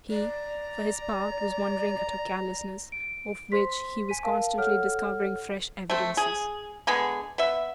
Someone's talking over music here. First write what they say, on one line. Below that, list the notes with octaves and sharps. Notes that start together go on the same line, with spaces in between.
He, for his part, was wondering at her callousness, of which he was constantly discovering fresh evidences.
D5 A#5
D7
C5 C6 B6
G#5 B6 D#7
A#4 F5 A5
A4 C#5 F#5 F6
A3 C4
G#4
D3 G#3 B3 G#4
B3 E5